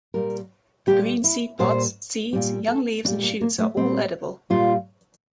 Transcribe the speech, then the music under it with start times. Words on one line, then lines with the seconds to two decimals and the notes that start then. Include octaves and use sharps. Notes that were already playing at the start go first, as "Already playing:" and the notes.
The green seed pods, seeds, young leaves and shoots are all edible.
0.14 A#2 G3 A#4
0.87 A#2 G3 G4
1.24 E4
1.59 A#2 G3 C5
2.33 A#2 G3
2.68 A4
3.04 A#2 D4
3.08 G3
3.23 A#3
3.41 A#3
3.59 A3
3.77 A#2 G3 C4
4.50 A#2 G3 F4